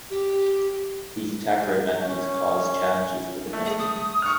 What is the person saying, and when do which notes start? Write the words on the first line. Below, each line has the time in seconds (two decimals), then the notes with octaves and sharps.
These attacker advantages cause challenges for defense mechanisms.
0.10 G4
2.01 C#4
3.53 A3
3.66 G#4
3.79 D#6
4.22 C#6 F6